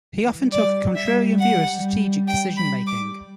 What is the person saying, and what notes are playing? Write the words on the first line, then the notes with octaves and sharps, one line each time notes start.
He often took a contrarian view of strategic decision making.
E3
G3 D5
E5
F#5
G5
B5
D6